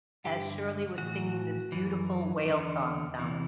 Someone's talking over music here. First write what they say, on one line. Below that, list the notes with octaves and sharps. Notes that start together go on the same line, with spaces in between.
as Shirley was singing this beautiful whale song sound,
G2 D3 G4
A2 E3 F#4
F#2 E3
E2 D3
E2 C3 E3